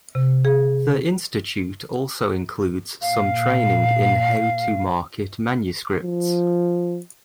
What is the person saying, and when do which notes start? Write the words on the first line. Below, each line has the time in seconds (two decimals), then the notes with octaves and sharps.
The institute also includes some training in how to market manuscripts.
0.15 C3
0.45 G#4
3.02 A#2 F5
6.03 F3